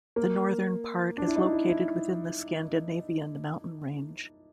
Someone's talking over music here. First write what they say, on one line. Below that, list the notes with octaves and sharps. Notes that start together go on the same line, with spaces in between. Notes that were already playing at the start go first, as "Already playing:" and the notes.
The northern part is located within the Scandinavian mountain range.
A#3
D4
E4
D#4
E4
E4